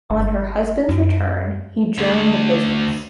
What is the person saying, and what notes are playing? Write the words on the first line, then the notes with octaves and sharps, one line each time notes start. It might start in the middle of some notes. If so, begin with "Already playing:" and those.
On her husband's return, he joined the business.
G1
F#2
D2